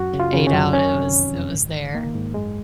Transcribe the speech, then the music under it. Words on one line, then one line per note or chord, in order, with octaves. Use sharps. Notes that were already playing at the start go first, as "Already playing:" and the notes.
ate out, it was it was there.
Already playing: F#2 F#4
C#3
F4
C#3
C#4
F#2
D#3 C#4
C3
F2
F2
G#2
D#3
D#3 A#3
G#2
F#2 G#3